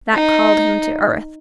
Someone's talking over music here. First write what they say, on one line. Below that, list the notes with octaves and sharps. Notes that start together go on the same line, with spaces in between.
That called him to earth.
D#4